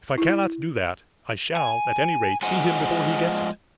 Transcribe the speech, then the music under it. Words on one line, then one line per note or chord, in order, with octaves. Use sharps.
'If I cannot do that, I shall at any rate see him before he gets it.
E4
G#5
F3 G#3 F#5 G#5